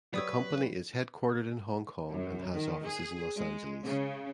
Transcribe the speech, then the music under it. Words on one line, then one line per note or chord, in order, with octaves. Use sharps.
The company is headquartered in Hong Kong and has offices in Los Angeles.
F#3 G4 B4 C#5 D5 D#6 E6
F#2
D#3
G#4
G#3
C#3